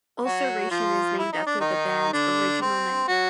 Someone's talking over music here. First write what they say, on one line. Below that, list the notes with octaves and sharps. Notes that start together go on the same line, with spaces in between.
"Ulceration" is named after the band's original name.
F#3 F#4
F3 F4
E4
D#4
D4
D#3 D#4
D3 D4
C4
F#3 F#4